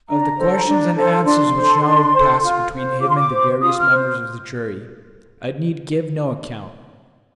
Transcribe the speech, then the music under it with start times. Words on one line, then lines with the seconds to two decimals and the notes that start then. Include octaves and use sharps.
Of the questions and answers which now passed between him and the various members of the jury I need give no account.
0.08 D4 A#5
0.38 A4 C5
0.67 D4
0.96 A4 C5
1.25 D4 C6
1.55 A4 C5
1.85 D4
2.14 A4 C5
2.43 F4
2.74 C5
3.02 F4 D6
3.09 C6
3.17 D6
3.31 C5
3.61 F4 D#6
3.80 F6
3.90 C5